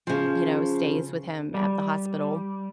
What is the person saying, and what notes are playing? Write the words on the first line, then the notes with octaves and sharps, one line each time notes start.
you know, stays with him at the hospital
C#3 F3
G3